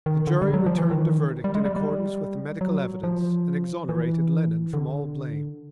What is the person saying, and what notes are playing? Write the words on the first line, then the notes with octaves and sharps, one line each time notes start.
The jury returned a verdict in accordance with the medical evidence and exonerated Lennon from all blame.
D#3
D3
G3
F#3
F3
E3
D#3
G3
G#3
G3
G3
F#3
F3
E3
D3